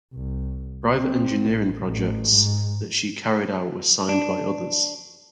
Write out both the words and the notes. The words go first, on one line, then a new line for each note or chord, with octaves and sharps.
Private engineering projects that she carried out were signed by others.
C2
C4
A1
A1
G#2
D4